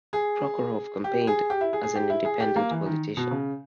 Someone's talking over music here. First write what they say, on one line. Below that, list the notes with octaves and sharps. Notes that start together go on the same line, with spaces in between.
Prokhorov campaigned as an independent politician.
G#4
G4
G#4
G4
E4
G#4
G#4
G4
E4
G#4
G4
A#3
E3
D#3
B2
C#3